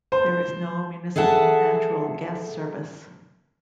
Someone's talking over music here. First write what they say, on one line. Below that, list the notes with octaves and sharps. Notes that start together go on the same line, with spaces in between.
There is no municipal natural gas service.
C5
G#4 A4 E5 F#5 A5